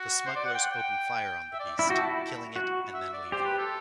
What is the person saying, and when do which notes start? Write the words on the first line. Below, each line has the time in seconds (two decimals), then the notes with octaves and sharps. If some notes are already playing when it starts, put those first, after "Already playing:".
The smugglers open fire on the beast, killing it and then leaving.
Already playing: F#4
0.26 C5
0.35 D5
0.45 F#5
0.54 G5
0.62 F#5
0.70 G5
1.53 E5
1.60 D5
1.79 E4 E5
1.89 F#4 G5
1.98 E4 A5
2.56 F#4
2.94 E5
3.13 D5
3.32 G4 C5
3.45 B4
3.58 A4